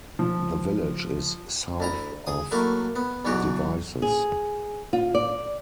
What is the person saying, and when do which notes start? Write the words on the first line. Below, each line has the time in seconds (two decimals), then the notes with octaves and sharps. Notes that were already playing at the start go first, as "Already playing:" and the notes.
The village is south of Devizes.
0.19 F3
1.80 D2 E4 A#5
2.27 G#4 D#6
2.51 F#3 A3 A#3 E4
2.96 B3
3.25 B1 E2 G#2 F#4 G4
4.02 G#4
4.93 F4
5.15 D5